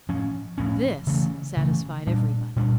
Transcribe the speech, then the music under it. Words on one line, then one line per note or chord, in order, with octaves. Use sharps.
This satisfied everybody.
A2 F3 C#4
A2 F3 C#4
C#3 E3 A3
C#3 E3 A3
A#2 G3 D4
A#2 G3 D4